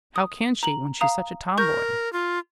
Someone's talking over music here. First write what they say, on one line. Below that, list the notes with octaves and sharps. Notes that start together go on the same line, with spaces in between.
"How can she, when she's such a tomboy?"
D#6
A#5 F#7
F5 A#5 D#6
A#4 C#6 G6
F4